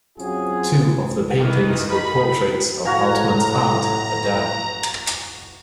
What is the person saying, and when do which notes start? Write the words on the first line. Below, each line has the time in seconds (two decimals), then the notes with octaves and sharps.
Two of the paintings were portraits of Altmann's aunt, Adele.
0.18 F#3 C4 C#4 F4 F#4 G#4
1.40 G2 D#3 E3
1.88 D#4 B5
2.85 A2 F#4 F5 G#5 A#5